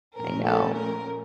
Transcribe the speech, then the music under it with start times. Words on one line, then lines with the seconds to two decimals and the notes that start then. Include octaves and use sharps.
I know.
0.18 A#2 F3 A3 C#4 A#4
0.47 A4
0.75 A#4